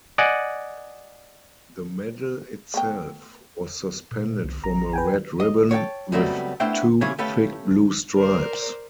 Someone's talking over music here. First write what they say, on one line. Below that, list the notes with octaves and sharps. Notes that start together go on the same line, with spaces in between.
The medal itself was suspended from a red ribbon with two thick blue stripes.
D5 D#5 F#5 G#5
A3 B3 G5
A#2
C2
A1 A#5
B4 G5 G#5
D#5
C#5 D5 E5 G5 A5
C#2 F#3 G3 A3 B3 C4
A3 B3 D4 E4 C5 G5
C#3 E3 F3 E4 G#4 C#5
A3 C#4 G4 A4 B4 F5
A#4 C5 D5